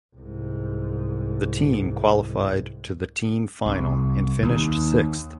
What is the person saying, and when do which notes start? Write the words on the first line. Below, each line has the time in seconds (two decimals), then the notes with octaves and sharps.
The team qualified to the team final and finished sixth.
0.15 C2 G#2
3.66 C2
4.43 D#2